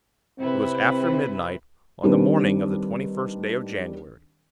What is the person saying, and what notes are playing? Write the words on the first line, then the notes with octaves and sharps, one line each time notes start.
It was after midnight on the morning of the twenty-first day of January.
C3 C4 E4 B4
D#3 G3 C4 D4 G4 B4